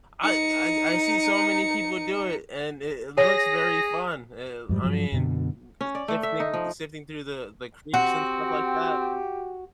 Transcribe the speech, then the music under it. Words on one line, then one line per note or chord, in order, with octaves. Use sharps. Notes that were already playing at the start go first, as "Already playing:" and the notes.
I I I see so many people do it, and it it looks very fun, uh, I mean, sifting sifting through the the creeks and stuff like that.
D#4 C#7
G#4 C#5 A#6
F2 G#2 G3
G2 F3 F#3
F#2 B2 D3
C#4
D5
A3
E5
D#4
F3
C4 F#4 G4